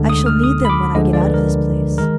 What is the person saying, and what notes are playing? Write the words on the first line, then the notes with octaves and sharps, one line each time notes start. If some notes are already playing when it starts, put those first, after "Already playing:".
I shall need them when I get out of this place.
Already playing: D2 D3 G#3
D#6
F6
D#6
B5
D6
D2 D3 F3 G#3 D#5
D5
B4
A#4
D#3 G#3 A#4